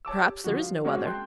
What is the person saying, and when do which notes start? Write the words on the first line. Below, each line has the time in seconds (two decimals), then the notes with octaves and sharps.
Perhaps there is no other.
0.05 C#5 A5 D6 E6
0.19 G4
0.44 D3 F3 G3 F#4
0.60 F5
0.84 G#3 A#3 C4 C#4 F#4 G#4
1.04 G5 A5 C6 F#6 G6